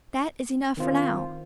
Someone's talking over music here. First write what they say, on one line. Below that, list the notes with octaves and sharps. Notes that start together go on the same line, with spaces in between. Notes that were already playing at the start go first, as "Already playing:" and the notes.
That is enough for now!
D#3 C4 F4 C5